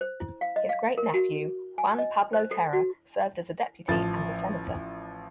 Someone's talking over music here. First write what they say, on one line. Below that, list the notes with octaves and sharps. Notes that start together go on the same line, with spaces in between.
His great-nephew Juan Pablo Terra served as a Deputy and a Senator.
C5
E4
F5
D#5
F5
A#4
F#4
G#5
D#5
C5
A4
F#4
A1 F3 A6